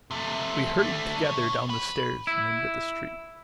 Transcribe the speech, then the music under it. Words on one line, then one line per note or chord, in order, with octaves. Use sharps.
We hurried together down the stairs and into the street.
C3 A3
D3 A3
G2 C#5
B4
E4